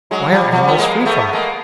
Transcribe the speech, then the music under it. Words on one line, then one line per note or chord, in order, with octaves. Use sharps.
Why are animals free from it?
F#3 G#3
F3 G3
F3 G3
B3
G#3 A#3
A3 B3
G#3 A#3